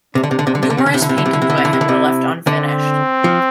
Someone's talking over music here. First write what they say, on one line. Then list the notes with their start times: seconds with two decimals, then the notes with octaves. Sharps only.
Numerous paintings by him were left unfinished.
0.15 C3 D4
0.23 D3
0.31 C3
0.39 D3
0.47 C3
0.55 D3
0.63 C3
0.70 D3
0.78 C3
0.86 D3
0.93 C3 E4
1.02 D3
1.09 C3
1.18 D3
1.26 C3
1.33 D3
1.42 C3
1.50 D3
1.58 C3
1.65 D3
1.73 C3
1.81 D3
1.89 C3
2.47 D3 C4
3.24 F3